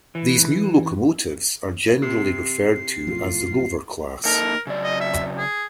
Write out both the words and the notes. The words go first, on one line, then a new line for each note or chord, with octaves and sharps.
These new locomotives are generally referred to as the Rover class.
E3
C3 C7
B1 F2 A2 F4
A#3 D#4 A4 A#4
C#3 F#3 D5
D#5
E5
G#4